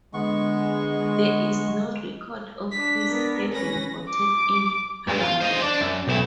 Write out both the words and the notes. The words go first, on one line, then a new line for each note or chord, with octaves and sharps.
There is no record of his having voted in Parliament.
D3 G#3 B3 C#6
D4 B6
B3 A#4
G#3 C#4 B4 A#6
D6
G2 G#3
F4
C5 D#5
D4 D5
F#2
B1 E4